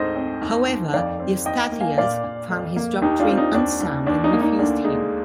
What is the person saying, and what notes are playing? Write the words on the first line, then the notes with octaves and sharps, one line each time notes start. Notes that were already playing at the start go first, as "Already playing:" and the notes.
However, Eustathius found his doctrine unsound and refused him.
Already playing: D2 G#2 C4 C5 D#5
C4
D#2
D#2
F2 D5 F5
C4
D#2 D#5 G5
A#3
F5 G#5
A#2 D5 F5
A#2
F2
A#3
D#2 D#4 G4
D4 F4
C4
D#4
D#2 D4
D#2
D#2 D4
D#4
A#3
D#4
D2 D4
G#3 D#4